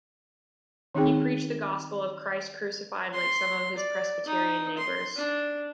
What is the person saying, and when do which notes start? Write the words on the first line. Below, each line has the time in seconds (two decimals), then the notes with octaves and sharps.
He preached the gospel of Christ Crucified like some of his Presbyterian neighbors.
0.95 D#3 C4 C#4 D#4 G#4 G5
3.13 C6
3.76 D5
4.26 D#4
4.78 C6
5.15 D4